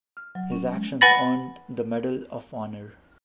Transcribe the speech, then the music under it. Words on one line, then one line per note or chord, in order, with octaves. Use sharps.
His actions earned the Medal of Honor.
F6
F#3
C#4
G#3
B4 F#5 G#5 B5 A6 A#6